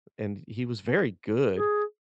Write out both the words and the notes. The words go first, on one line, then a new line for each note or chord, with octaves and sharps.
and he was very good,
G#4